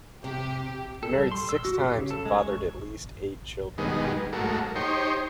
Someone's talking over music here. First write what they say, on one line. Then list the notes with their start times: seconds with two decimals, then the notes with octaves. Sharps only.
He married six times and fathered at least eight children.
0.24 C3 G4
1.03 A4
1.15 G3
1.32 C6
1.49 E6
1.65 F#4
1.78 G4
1.98 C#3
2.11 A4
2.25 G#3
2.39 C#6
3.78 G2 B2 D#3 G#3
4.32 G#2 F#3 A3 A#3
4.76 D#4 G4 C5 C#5